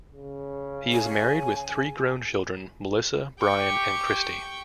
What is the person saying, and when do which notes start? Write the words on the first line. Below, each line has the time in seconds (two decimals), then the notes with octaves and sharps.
He is married with three grown children, Melissa, Brian, and Kristi.
0.12 C#3
0.92 G#5
3.39 G4 G5 C#6